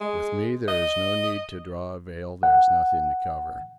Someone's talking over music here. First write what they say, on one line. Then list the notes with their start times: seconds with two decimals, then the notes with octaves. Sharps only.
With me there is no need to draw a veil; there is nothing to cover.
0.01 G#3
0.68 D#5
2.43 F#5